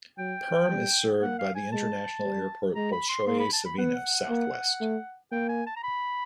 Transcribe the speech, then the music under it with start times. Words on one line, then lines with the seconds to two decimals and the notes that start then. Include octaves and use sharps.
Perm is served by the international airport Bolshoye Savino, southwest.
0.18 F#3 G5
0.70 G3
1.22 A#3 F#5
1.39 F5
1.55 G#5
1.72 G#3 A5
2.25 G3
2.75 G#3 A#5
2.92 B5
3.10 C6
3.27 A#3 C6
3.39 B5
3.53 A5
3.66 B5
3.78 B3 F#5
4.29 A#3
4.81 A3
5.32 A#3 G5
5.49 G#5
5.67 A5
5.77 A#5
5.83 B5